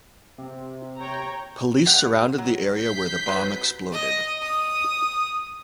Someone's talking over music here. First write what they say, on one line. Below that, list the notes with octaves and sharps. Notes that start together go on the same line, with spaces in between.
Police surrounded the area where the bomb exploded.
C3
C#5 G5 A#5
G4 F5 F#5
F#3
G6 B6 C7
C3 F#3 B4
D#5
D#6